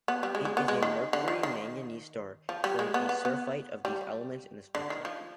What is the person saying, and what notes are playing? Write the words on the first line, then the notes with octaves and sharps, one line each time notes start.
It is a Mercury-Manganese star, showing a surfeit of these elements in the spectrum.
B3
G3
G#3
G#3
B3
G#3
D#3
D3
D#3
D#3
F3
G3
G#3
B3
B3
B3
G3
D3
D#3
F3